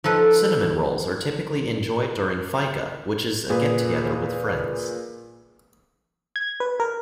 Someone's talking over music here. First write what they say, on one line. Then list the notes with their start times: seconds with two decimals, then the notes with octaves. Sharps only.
Cinnamon rolls are typically enjoyed during Fika which is a get together with friends.
0.04 F3 D#4 A4 B4
3.50 A#2 G#4 B4
6.36 G#6
6.60 B4
6.80 A#4